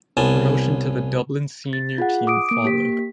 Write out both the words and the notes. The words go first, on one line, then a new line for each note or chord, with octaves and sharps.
Promotion to the Dublin senior team followed.
C2 B3 C#4 A5
A6
F4 G#4 F#5
D6 D#6 D7
A#3 D7
A#3 G4 B6